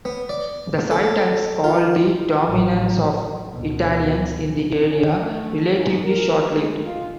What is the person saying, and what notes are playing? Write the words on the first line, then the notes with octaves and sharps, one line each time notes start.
The site has called the dominance of Italians in the area, relatively short lived.
B3
D5
A4
F4
A1 A2 F#3
D2 B2
C#4
A3
G#2
A#4
G#3
F4